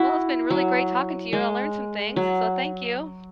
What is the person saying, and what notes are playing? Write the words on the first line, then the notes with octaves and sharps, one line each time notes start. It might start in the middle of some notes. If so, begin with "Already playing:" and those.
Well, it's been really great talking to you, I learned some things, so thank you.
Already playing: E4 F#4
F#3
G#3
F#3